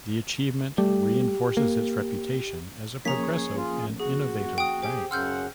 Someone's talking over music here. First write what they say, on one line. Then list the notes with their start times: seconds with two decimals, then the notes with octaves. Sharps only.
The achievement reinforces its reputation as a Progressive and Innovative bank.
0.78 G3 A3 G4
1.57 A#3
3.05 F3 A#3 C#4 G#4 C#5 A#5 B6
3.57 F4 G#4
4.00 F#4 G#4
4.58 G5 D#6
4.82 G4 G#4 C5 G5
5.11 F#2 C#3 F#5 C6 E6 F6 G6